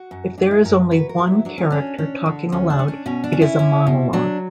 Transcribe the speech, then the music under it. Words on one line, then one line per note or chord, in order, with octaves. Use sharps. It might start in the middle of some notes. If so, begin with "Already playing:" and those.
If there is only "one" character talking aloud, it is a monologue.
Already playing: F#4
F#2
F#2 D4
E4
F#2 A#4
F#3 B4
A#4
F#3
E4
F#3 D4
C#4
C#4 D4
C#4
D3
D2 C#4
D4
C#4
D4
B2 C#4
D4
C#4
E4
C#4
B2
F#3 D4